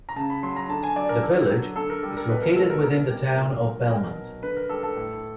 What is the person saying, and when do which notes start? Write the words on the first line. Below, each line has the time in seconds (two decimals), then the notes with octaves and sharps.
The village is located within the Town of Belmont.
0.09 A#5
0.16 C#3 A5
0.30 B5
0.43 F#3 C6
0.56 A#5
0.69 D3 A5
0.83 G#5
0.96 F#3 D5
1.09 A#4
1.23 D3 A4
1.50 F#3
1.76 D3 A4
1.90 A#4
2.03 G3 A4
2.17 A#4
2.29 B2 B4
2.42 A#4
2.56 G#3 A4
2.70 A#4
2.82 B2 A#4
3.09 G3
3.36 A#2 A#4
3.63 F#3
3.89 B2 A#4
4.17 F#3
4.43 D3 B4
4.56 A#4
4.69 G3 A4
4.83 A4
4.97 A2